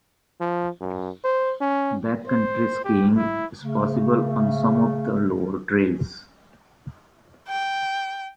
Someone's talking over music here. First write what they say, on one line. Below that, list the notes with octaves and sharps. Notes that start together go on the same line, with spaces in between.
Backcountry skiing is possible on some of the lower trails.
F3
F#2
C5
C#4
C5
G4
E4
C#3 A3
G5